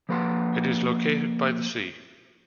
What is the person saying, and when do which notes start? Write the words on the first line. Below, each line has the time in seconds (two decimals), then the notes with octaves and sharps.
It is located by the sea.
0.09 F3 A#3 B4 F#5 C6